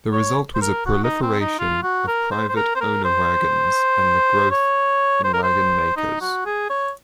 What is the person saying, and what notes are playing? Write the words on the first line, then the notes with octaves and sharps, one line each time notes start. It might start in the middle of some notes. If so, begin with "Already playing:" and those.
The result was a proliferation of private owner wagons, and growth in wagon makers.
C#5
C5
A#4
F#4
D#4
C4
D#4
F4
F#4
A#4
C5
C5
A#4
C5
A#4
C5
C#5
C5
A#4
C5
D#4
F#4
G#4
C#5